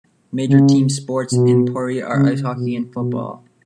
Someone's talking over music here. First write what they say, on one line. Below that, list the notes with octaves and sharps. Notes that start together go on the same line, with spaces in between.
Major team sports in Pori are ice hockey and football.
C#3
B2
C#3
B2
B2